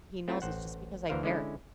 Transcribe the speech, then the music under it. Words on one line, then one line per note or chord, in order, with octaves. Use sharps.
he knows it's just because I care.
A3 C4 E4 F4
A1 C5 F#5
D2 E3 A#4 C5 F5
D3 G#3 C#4 E4